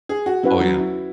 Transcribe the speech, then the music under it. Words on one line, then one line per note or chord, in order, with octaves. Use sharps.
Oh yeah.
G#4
F#4
C#4 E4 F#4 B4 F#5
F#3
E4